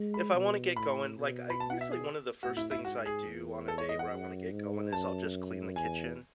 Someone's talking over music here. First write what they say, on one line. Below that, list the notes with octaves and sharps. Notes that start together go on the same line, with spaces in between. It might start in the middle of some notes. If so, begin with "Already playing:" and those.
if I wanna get going, like, I usually, one of the first things I do on a day where I wanna get going is I'll just clean the kitchen,
Already playing: G#3
B5
B2
A2 B5
B2
B5
A5
F#5
E5
G#4
A2 F#4
E4
E4
G#2 F#4
G#4
E2
A4
C#5
D#5
F#5
F#2
G#2
F#2 A5
E2 G#5